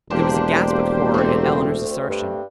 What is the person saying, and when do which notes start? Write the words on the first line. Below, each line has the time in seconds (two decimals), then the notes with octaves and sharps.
There was a gasp of horror at Eleanor's assertion.
0.10 E1 A#3 D4 G4 C5
1.14 D2 A3 C4
2.09 G2